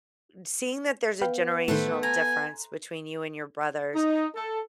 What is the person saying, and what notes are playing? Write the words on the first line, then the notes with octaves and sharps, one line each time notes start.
seeing that there's a generational difference between you and your brothers,
B3 B4 F5 G5
A2 D#3 A3 B4 C5
G#5 A#5
D#4
A4